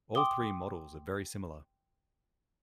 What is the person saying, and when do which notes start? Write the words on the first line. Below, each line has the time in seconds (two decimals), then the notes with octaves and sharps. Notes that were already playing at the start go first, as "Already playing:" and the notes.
All three models are very similar.
0.15 G5 C6 D6 D#6 G7